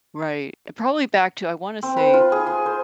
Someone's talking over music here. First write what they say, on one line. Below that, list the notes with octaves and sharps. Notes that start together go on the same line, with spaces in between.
Right, probably back to I wanna say,
C4
B4
F4
G#4
C6
C5